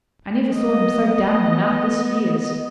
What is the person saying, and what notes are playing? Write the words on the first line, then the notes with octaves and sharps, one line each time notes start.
I never saw him so down in the mouth this years.'
B3 D#5